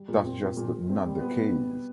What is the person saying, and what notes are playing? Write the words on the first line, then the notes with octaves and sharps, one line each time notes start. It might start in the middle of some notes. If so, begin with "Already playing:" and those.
That's just not the case.
Already playing: G3
A#2
C4
A#2
A#2
A#2
C4
G3
B3
B2